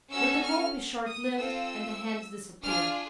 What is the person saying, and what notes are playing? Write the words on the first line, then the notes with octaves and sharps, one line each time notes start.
But the hope is short-lived, and the hands disappear.
C#4 F#4 A4 E6
F6
D#6
C4 F4 A4 E6
D4 F4 G#4 F6